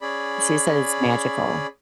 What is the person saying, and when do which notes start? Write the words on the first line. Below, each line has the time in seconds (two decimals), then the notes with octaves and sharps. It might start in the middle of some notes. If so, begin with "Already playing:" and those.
she said it's magical.
0.01 C#4 G#4 D5 B5